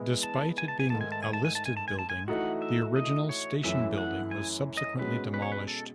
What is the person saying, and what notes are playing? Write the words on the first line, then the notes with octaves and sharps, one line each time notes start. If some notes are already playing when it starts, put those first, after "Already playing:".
Despite it being a listed building, the original station building was subsequently demolished.
Already playing: E3 G#3 B3 E4
A5
G#5
A5
G#5
G#2 D#3 A3 A5
G#5
A5
G#5
A5
G#5
A5
G#5
A5
G#5
A5
G#5
E3 A3 D#4 F#4 F#5
E5
D#5
C#5
F#2 E3 A3 E4 E5
F#5
G#5
D#5
B2 G#3 C#4 F#4 B4
B4
C#5
B4
A4